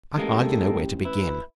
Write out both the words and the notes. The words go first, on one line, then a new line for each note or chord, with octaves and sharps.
I hardly know where to begin.
A1 G#3 A#3 G4 A4
E4 B4